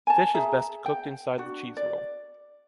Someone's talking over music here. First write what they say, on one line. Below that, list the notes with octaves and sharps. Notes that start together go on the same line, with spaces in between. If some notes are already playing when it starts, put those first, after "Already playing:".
Fish is best cooked inside the cheese roll.
G#5 A5
G#4 E5 A#5
G5
D4 F#4
D5